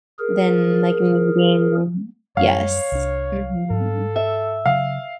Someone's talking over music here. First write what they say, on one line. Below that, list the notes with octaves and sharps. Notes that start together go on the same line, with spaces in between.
than, like, me being Yes. Mhm.
G#4 A#4
F#2 G3 C#5 F5
C2 D4
G#2 A4
E5
C#3 F#3 F5